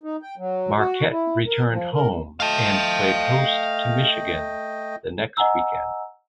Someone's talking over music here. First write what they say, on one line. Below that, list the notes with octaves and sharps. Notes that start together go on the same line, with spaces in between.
Marquette returned home and played host to Michigan the next weekend.
D#4
G5
F#3
F#4
E4
A#4
F3
A#4
A3 D#5 F5 G5 A5
D#5 F#5 G#5 A#5 E6